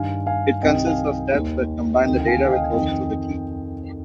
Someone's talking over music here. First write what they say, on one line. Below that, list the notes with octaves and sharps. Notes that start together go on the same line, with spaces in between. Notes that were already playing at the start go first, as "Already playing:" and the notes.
It consists of steps that combine the data with portions of the key.
Already playing: G2 D#3 F5 G#5
F5 G#5
C2 C3 D#3 D#5 G5
F5 G#5
D#2 D#3
D2 C3 D#3 D#5 G5
G5
F5 G#5
F5
D#5 G5
F2 D#3 D#5 G5